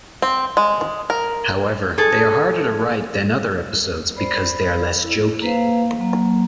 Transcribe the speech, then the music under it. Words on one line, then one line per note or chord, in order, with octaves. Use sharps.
However, they are harder to write than other episodes because they are less jokey.
C4
G#3
A#4
G#4 A4
C5 D5 B5
E4
A#3 B4 C5 F5
F#3 A#3